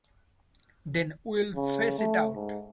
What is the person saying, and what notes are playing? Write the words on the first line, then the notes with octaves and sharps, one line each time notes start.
Then we'll face it out.
C#3
A3
G#2